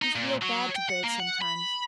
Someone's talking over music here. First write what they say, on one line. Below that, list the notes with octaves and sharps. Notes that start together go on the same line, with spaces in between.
He's real bad to birds sometimes.
D#4
A#2
F#3
G5
F#5
A#3
F#5
B5